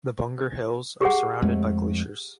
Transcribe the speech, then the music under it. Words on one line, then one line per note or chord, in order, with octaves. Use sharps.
The Bunger Hills are surrounded by glaciers.
G4 G#4 F#5
F2 G#3 A3